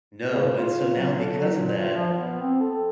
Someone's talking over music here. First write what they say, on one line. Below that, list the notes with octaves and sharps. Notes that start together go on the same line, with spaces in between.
No, and so now because of that,
C#3
F4
F#3
A4
F#3
A#2
F4
F3
B3
C4
A4